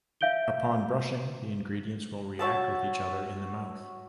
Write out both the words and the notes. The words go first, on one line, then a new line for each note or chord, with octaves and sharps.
Upon brushing, the ingredients will react with each other in the mouth.
E5 F5 G6 D7 G7
F#4 C#5 E5 A5